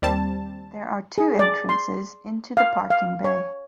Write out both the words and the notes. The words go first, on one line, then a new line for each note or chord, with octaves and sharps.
There are two entrances into the parking bay.
D#2 G3 C4 A5
G#4
D5
C6
F5
F5
C#5